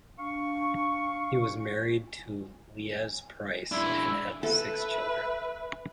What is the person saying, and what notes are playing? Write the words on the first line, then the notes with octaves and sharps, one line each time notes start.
He was married to Liese Price and had six children.
D4 F5 C#6
G#3 D4 E4
A4 B4 E5